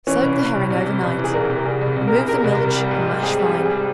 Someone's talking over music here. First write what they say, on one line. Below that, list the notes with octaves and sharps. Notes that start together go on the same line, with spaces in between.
Soak the herring over night; remove the milch and mash fine.
E3 C#4
C2
C2
C3
C2
C3
C2
E3
G#4
C2 A#4
C3
C2 G#4
C2
C2
C3 A#4
G#4
C3 A#4
C2
G3 A#4
G3
G#2
G3
C4 G#4
G3
G#4
C4
G#4
G3